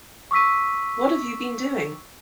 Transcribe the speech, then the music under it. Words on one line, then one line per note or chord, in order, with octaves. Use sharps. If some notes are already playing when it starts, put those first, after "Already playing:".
What've you been doing?
C#6 D6 E6 B6 D#7